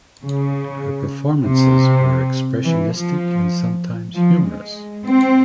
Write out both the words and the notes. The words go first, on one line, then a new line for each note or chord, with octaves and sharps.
Her performances were expressionistic and sometimes humorous.
C#3
C3
E3
F3
F3
G#3
C4